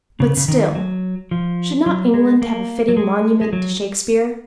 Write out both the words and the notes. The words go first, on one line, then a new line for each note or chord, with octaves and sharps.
But still, should not England have a fitting monument to Shakespeare?
C#3
C#3
D#3
F#3
F3
F#3
G#3
A#3
F#3
G#3
G#3
F#3